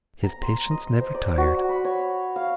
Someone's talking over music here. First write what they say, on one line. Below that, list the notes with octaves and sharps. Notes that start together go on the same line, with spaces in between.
His patience never tired.
A#5
C6
D#5
C5
D5
F#4
B5
C#5
F5